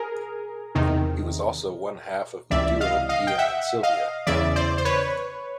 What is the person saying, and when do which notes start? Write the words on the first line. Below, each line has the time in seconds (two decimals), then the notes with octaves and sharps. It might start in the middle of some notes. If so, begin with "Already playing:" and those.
He was also one half of the duo Ian and Sylvia.
Already playing: G#4 A#4
0.75 E2 C3 D#3
2.50 C#2 C3 E3 D5 E5
2.81 D#5 F5
3.09 D#5 F5
3.27 G5
3.38 E5 F#5
3.83 D#5 F5
4.27 E2 C#3 E3 D5 E5
4.56 C5 D5
4.78 C5
4.85 B4 C#5